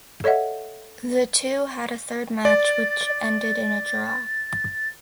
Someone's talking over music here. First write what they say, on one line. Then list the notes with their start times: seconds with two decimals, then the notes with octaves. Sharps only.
The two had a third match, which ended in a draw.
0.24 A4 C#5 D#5 E5 F#5
2.45 D5 A6